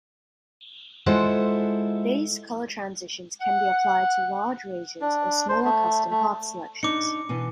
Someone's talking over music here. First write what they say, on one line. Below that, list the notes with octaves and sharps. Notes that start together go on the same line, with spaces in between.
These color transitions can be applied to large regions or smaller custom path selections.
G#3 E4 F4 A4 C5 F#5
F#5
D4
C5
A3
A3
D4 D#4 D6 C#7
B2 E3